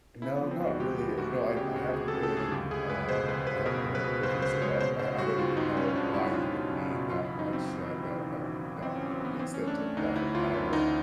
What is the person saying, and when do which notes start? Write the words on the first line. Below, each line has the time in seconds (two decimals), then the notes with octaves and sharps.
No, not really, uh, you know, I I haven't been um, I haven't, uh, been privy to that, I I don't even know why you would need that much that that that that the extent of graphic power,
0.22 C#3 E4
0.37 B3
0.41 F3
0.51 C4
0.60 D2
0.66 F#4
0.80 G#3 G4
0.98 D2 G4
1.18 D2 F#4
1.37 D2 G#4
1.57 C#3 G4
1.76 D2 F#4
1.94 D2 G#4
2.08 A4
2.14 C#3
2.23 A4
2.32 D2 G#4
2.52 C#2 G4
2.71 C#2 G#4
2.90 G#3 B4
3.09 B2 C5
3.28 C#2 B4
3.47 C#2 B4
3.66 B2 A#4
3.86 B2
3.95 B4
4.04 B2
4.23 C#2 C5
4.42 C#2 C5
4.62 G#3 C#5
4.80 B2 C5
4.99 C#2 C5
5.18 G3 F#4
5.38 C#2 F4
5.57 C#2 D#4
5.77 G3 C#4
5.96 C#2 D4
6.14 G3 E4
6.33 B2 F4
6.53 B2
6.72 C#2
6.90 B2
7.10 F#2 F4
7.24 E4
7.29 E3
7.39 D#4
7.48 F#2
7.53 C4
7.67 E3
7.87 E3
8.05 E3
8.24 G#1
8.44 E3
8.63 G#1
8.81 E3 C4
8.96 C#4
9.01 G#1
9.11 C4
9.20 E3 B3
9.39 E3 C4
9.54 C#4
9.58 A3
9.67 D4
9.78 A3
9.97 D2 D#4
10.15 D2 E4
10.34 D2 F4
10.54 D2 E4
10.73 D2 D#4